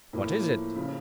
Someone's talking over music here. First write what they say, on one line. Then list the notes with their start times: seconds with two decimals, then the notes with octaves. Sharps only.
"What is it?"
0.13 A2 F3 A#3
0.76 C#3 F3